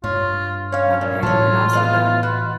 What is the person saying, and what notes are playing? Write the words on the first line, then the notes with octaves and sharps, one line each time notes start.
Um, and and also, that
G2 F4 C#5
C#4 C#5 F5
A#2
A2 E3 F4 A4 C#5
B3 D#5 F5
F#4 B4